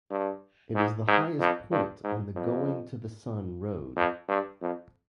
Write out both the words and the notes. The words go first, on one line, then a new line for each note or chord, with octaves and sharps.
It is the highest point on the Going-to-the-Sun Road.
G2
G#2
G#2
F2
G2
G#2
F2
F2
G2
F2